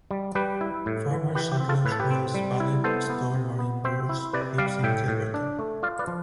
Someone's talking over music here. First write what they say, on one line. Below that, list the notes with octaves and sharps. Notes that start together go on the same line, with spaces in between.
Former Sadlers Wells Ballet star Maureen Bruce lives in Yelverton.
G3
G3 G4 B4
E4
A2
E3
E3 G4 B4
G4
C4
F4 A4
A2 B4
A4
G4 B4
C4
G3
E4
B3 A4 C5
B3
C3
B3
C4 C5 E5
E4
C3 B4 D5
G3 D5 F5
A2 E5 G5
A2
D4
A3
F4 D5 F5
B4 D5
F3